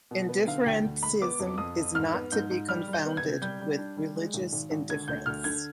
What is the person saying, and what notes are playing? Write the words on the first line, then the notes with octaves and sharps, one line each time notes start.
Indifferentism is not to be confounded with religious indifference.
B2
B3
D3 F5
D2 G5
D2
G#3 B5
B3 D6
F2
F2 D#6
F2
G#2 F6
B3
G#2 G6
G#2
G3 F6
G3
G6
B3
G#6
C3
G3 G6
G3
D4
G3
G#3
G#1
G#1
G#1
D3 G#6
D2 G6
D2 F6
D3 G#6